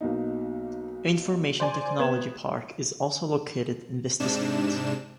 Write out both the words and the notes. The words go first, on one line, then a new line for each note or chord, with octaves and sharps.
Information Technology Park is also located in this district.
B1 A#3 D#4
C5 D5 G#5
B3 G#6 E7
G#2 C3 D4 E7